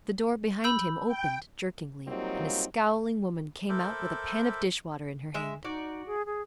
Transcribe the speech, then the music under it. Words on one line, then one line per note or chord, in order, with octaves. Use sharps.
The door behind him opened jerkingly, and a scowling woman came out with a pan of dishwater in her hand.
B5 E6 G6
G5
F#3 G3 A#3 C4 D#4 F4
A4 A#4 C5 E5 B5 D6
G#3 E5
D#4 F#4 D5
G#4
G#4